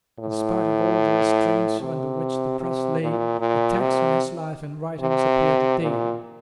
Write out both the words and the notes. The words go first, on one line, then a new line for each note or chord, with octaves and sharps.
In spite of all the restraints under which the press lay, attacks on his life and writings appeared daily.
A2
C3
C3
A#2
A#2
C3
C3
A#2